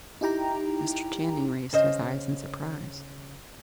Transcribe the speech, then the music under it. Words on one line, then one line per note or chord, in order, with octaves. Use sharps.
Mr. Channing raised his eyes in surprise.
D#4 E4 G4 G5 A#5
C#3 C5 D#5